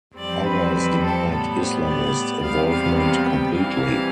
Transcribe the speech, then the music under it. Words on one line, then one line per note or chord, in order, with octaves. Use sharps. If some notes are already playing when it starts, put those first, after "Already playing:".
Others denied Islamist involvement completely.
F2 E3 G3 C4 D5
B4
B4
A4
A2 G3 B3 A4
C5
D5
E2 C3 G3 B3 F5
F5
F5
G5
C3 E3 G3 F5